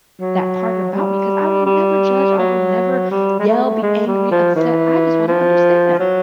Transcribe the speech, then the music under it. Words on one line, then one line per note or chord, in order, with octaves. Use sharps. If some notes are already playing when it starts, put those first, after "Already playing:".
that part about me, 'cause I will never judge, I will never yell, be angry, upset. I just wanna understand.
F#3
G3
G3
F#3
G3
G#3
A3
G#3
G3
F3
E3
F3
F#3